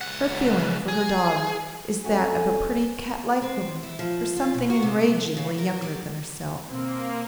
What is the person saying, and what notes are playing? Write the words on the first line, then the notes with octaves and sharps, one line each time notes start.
Her feeling for her daughter is that of a pretty cat-like woman for something enragingly younger than herself.
C#2 F#5
G#4
F2 A3 C#4 F#4 G#5
C4
E4
F3
F4
B2
F#4
C3
C#3
A#4
G3
B2 A#3 C4